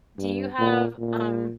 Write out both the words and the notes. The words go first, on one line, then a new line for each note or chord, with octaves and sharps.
Do you have, um,
G2
A#2
A#2